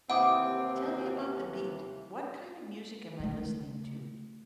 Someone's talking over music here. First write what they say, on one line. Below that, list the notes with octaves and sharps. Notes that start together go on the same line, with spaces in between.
Tell me about the beat. What kind of music am I listening to?
D#2 C3 E3 C4 E4 F#5 D6 D#6
C#3 A3